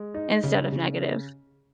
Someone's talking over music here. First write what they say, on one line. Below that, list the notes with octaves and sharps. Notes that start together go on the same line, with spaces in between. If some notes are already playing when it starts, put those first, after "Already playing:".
instead of negative,
Already playing: G#3
D#4
C#3
C#3